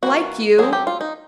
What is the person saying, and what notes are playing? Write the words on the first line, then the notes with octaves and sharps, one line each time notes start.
Like you?
E3 G3 A#3 F#4
F#3 A3 C4 G#4
G4
F4
D#4